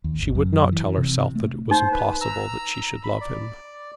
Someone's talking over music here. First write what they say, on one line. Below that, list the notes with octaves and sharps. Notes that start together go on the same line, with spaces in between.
She would not tell herself that it was impossible that she should love him.
D#2
G#1
F#2
E3
C3
A3
D#4 C5
B4
A#5 E6
B5
D5